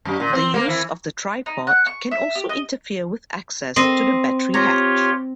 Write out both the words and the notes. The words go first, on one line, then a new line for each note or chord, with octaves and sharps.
The use of the tripod can also interfere with access to the battery hatch.
F#2
A#2
C4
A#3
E3
D#4
F#5
C#6
E5
G4
D#5
C4 D#5
F4 G4 C#5 A#5